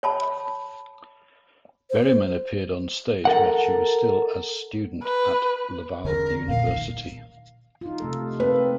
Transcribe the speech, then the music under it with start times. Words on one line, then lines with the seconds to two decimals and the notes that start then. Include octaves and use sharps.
Berryman appeared on stage while she was still as student at Laval University.
0.03 C#5 A5 B5
1.90 C5
3.25 A4 A#4 F#5
5.03 B4
6.05 E2 D3 C#4 A#4
6.48 A#2 F5
6.68 D#3
7.81 D#4 F4
8.00 C3 A3 A4
8.40 A#3 C4 A4 B4